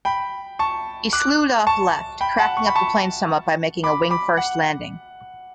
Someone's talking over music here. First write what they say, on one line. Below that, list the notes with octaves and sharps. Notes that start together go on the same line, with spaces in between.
He slewed off left, cracking up the plane somewhat by making a wing-first landing.
G5 B5
A5 C#6
D6 F#6
A5 C#6
G5 B5
F#5 A5
C#6
B5
A5 C#6
B5 D6
B5 D6
F#5